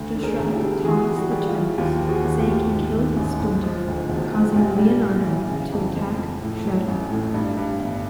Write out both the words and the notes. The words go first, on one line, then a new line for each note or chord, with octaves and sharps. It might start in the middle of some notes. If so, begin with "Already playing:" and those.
The Shredder taunts the Turtles, saying he killed Splinter, causing Leonardo to attack Shredder.
Already playing: D2
D3
G#4 A#4
E1
G4 A4
G3
E3 F#4 G#4
G3
F#4 G#4
G3
F4 G4
E3
D#2 F4 G4
F3
F#4 G#4
D#2
F4 G4
D#2
G#2
D#3
A1
G#2
F3
D2
E1
F3
A#1 F4 G4
G3
G#2
E3
C#3
F2
F2
F2
A2
F#3
A1
A2
G2
G2
G1